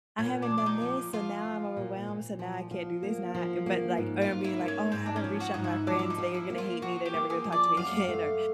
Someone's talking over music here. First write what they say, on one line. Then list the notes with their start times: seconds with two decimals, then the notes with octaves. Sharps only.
"I haven't done this, so, now I'm overwhelmed, so, now I can't do this now" But, like, er, I'm being, like, "Oh I haven't reached out to my friends, they are gonna hate me, they're never gonna talk to me again," or,
0.19 A#2 C#4
0.42 D4
0.50 F3
0.58 D4
0.66 D#4
0.82 F3
1.13 F3 F4
1.45 F3
1.77 A#2
2.08 A#2
2.39 F3
2.71 F3
3.03 A#3
3.35 F3
3.66 A#3
3.98 G#2
4.22 F4
4.29 G#2
4.44 E4
4.61 A#3
4.68 C#4
4.92 G#2 C4
5.06 D4
5.16 C#4
5.24 F3
5.40 F#4
5.54 G#2 D#4
5.64 E4
5.87 F3 D4
5.99 E4
6.10 D#4
6.18 F3
6.34 E4
6.50 A#3
6.58 F4
6.82 F3 F#4
7.06 G4
7.14 A#3
7.30 G#4
7.45 F3
7.52 D5
7.77 F#2 F5
8.08 A3